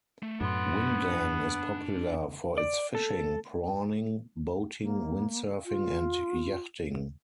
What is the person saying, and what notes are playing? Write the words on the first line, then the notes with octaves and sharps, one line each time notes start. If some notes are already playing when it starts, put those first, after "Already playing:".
Windang is popular for its fishing, prawning, boating, windsurfing and yachting.
A3
F#2 A2 B3 D4 C6
D5
A4
A#3
F4